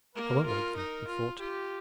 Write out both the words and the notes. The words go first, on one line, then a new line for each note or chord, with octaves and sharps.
'I won't wake them,' he thought.
A#3 A#4
F4
D#4
F4
F4 G4